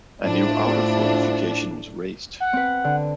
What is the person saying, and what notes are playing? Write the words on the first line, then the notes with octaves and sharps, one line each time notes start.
A new outer fortification was raised.
A2 D4 E4 F4 C5
F#5
C4 B4
D3